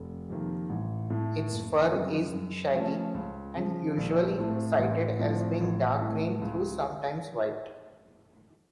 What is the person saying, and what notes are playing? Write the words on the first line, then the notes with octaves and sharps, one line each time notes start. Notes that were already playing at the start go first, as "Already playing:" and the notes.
Its fur is shaggy, and usually cited as being dark green though sometimes white.
Already playing: F1
F2 C3 D#3 A#3
A1
A2 A3
F#1
F#2 C#3
F#2
F3 A3 C#4
C#2
C#3 F3
A#1
A2 A3 C4
A1
A2 F3 C4 F4
A1
A2 A3
C#2